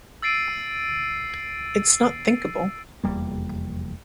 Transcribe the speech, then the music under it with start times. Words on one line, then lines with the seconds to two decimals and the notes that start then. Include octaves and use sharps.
It's not thinkable.
0.22 E6 A6 C7 D7 D#7
3.04 F1 E2 G3 A#3